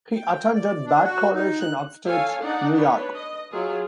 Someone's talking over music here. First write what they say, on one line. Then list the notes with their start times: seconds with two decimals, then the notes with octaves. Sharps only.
He attended Bard College in upstate New York.
0.17 G5
0.55 D5
0.86 D4
1.04 F#4
1.35 D#4
1.60 F#6
2.05 A4 C#5 F5 G#5
2.42 D4 D#4 D5 F#5
2.73 D4 B4 C#5
3.15 D#5
3.51 F#3 F4 G#4